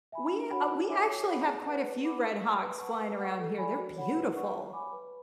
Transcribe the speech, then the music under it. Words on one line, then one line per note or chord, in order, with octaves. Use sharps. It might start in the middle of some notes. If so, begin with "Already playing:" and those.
We uh, we actually have quite a few red hawks flying around here, they're beautiful.
E5 G#5 B5
D4
F#4 C#5 F#5 B5
F#4
C#5 E5 G#5 D6
C#5
F#5 B5
G#4
B4 D5 F#5
B4
F#5 B5 D6
C#5
F#5 C#6
B4
F#5 A5 C#6
B4
F#5 C#6
A4
D5 G#5 B5
F#4
C#5 F#5 B5
B4
D5 F#5 C#6
C#5
G#5 B5 D6
B4